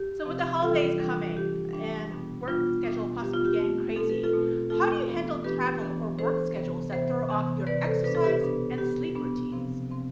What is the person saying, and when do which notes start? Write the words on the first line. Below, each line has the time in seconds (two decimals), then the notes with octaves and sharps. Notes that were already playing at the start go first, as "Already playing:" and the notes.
So with the holidays coming and work schedule possibly getting crazy, how do you handle travel or work schedules that throw off your exercise and sleep routines?
Already playing: G4
0.26 C3 F3 C4
0.62 E3 G3 D4 F4 A4
0.99 E3 G3 D4
1.36 E3 G3 D4 G4
1.73 E3 G3 D4
2.11 B2 G3 B3 D4
2.48 B2 G3 B3 D4 F4
2.85 B2 G3 B3 D4
3.22 B2 G3 B3 D4 G4
3.33 F4
3.45 G4
3.59 B2 A3 C4
3.96 B2 A3 C4 A4
4.10 B4
4.23 F4 A4
4.33 B2 A3 C4
4.70 B2 A3 C4 F4 A4
5.08 E3 B3 D4
5.44 E3 B3 D4 G4 B4
5.81 E3 B3 D4
6.18 E3 B3 D4 A4 C5
6.55 C3 E3 B3
6.92 C3 E3 B3 C5 E5
7.30 C3 E3 B3
7.67 C3 E3 B3 B4 D5
7.85 A4 C5
8.04 B2 B3 D4 B4
8.15 A4
8.24 G4 B4
8.41 B2 B3 D4
8.78 B2 B3 D4 G4
9.15 B2 B3 D4
9.52 C3 F3 C4
9.89 C3 F3 C4